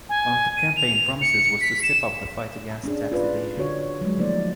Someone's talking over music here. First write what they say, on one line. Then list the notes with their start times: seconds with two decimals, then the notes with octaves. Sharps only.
One of the campaign promises was to step up the fight against tax evasion.
0.09 G#5
0.57 D#7
0.77 F7
1.22 C#7
1.61 B6
1.83 E7
2.84 C#4 D4 G#4
3.12 F4 B4 D5
3.57 D3 D4 F#4 C#5
4.01 F#3 G#3
4.17 F3 A3 A#3 D#4 C5 D5